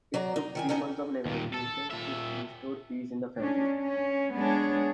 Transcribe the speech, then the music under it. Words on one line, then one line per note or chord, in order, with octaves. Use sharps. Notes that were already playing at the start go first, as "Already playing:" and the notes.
It took three months of negotiations to restore peace in the family.
F#3 D5 A#5
D#4
D#3 E4 G#5
B3 C#4 D#4 A4 D#5
D#2 A#2
A4
A#2 E5
C#4 D4
C#4
G#3 B3 D4 G#4 C#5